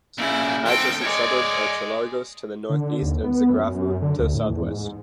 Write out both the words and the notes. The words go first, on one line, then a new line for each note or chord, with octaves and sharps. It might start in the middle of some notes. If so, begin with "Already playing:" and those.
Adjacent suburbs are Cholargos to the northeast and Zografou to the southwest.
A#2 C#3 E4
D2 C4 A4 G5
G#3 C#5 D5
D3
D#2
B3
F#2
F#2
D3
D2
A2
E2
G#2